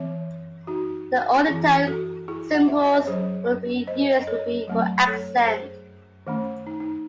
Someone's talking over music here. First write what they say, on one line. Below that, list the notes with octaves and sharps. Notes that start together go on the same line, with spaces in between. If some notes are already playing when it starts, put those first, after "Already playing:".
The only time cymbals would be used would be for accent.
Already playing: E3 C4 C#5 E5
D#4 F#4
E3 C4 E4 G#4
F#4 A4
E4 G#4
F#5
E5
D#5
C#5
F#3 C#4 G#4 C5
C5 D#5
D#5
A4 C#5
F#3 A3 C4
A4 C#5
G#4 C5
D#3 A3 C#4
D#4
D#4